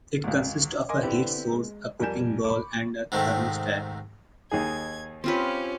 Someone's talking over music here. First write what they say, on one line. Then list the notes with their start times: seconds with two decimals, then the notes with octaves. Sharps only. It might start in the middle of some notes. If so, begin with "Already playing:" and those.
It consists of a heat source, a cooking bowl, and a thermostat.
0.24 G#1 C#2
0.89 A#4 D#5 G#5 C6 D6
1.02 D3 B3 C4 E4 G4 B4
1.52 G#3
2.00 F2 G3 A#4 G#5 G6 E7
2.44 B5 C#6 D6
3.12 G#2 C3 D#3 A3
4.51 D#2 D#4 G#4 G#6
5.24 C4 C#4 F4 G4 B4